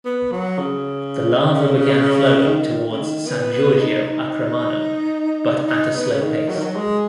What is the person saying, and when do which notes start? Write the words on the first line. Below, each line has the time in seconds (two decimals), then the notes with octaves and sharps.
The lava began flowing towards San Giorgio a Cremano, but at a slow pace.
0.05 B3
0.32 F#3
0.58 C#3
2.46 D#3
2.92 C#3
3.00 D#3
3.27 B3
3.54 B3
3.80 D#4
4.07 D#4
5.68 D#4
5.95 B3
6.11 C#3
6.22 D#3
6.48 F#3
6.55 D#3
6.63 F#3
6.75 G#3